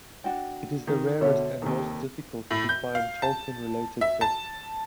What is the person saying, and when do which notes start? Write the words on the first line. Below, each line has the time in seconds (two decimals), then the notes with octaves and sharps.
It is the rarest and most difficult to find Tolkien-related book.
0.24 D4 F#4 G5
0.87 D#3
1.21 B2 D3 C5 C#5 E5
1.62 D#2 C3 D#3 A4
2.51 A2
2.69 G6
2.95 F5
3.22 A5
4.01 E5
4.21 A5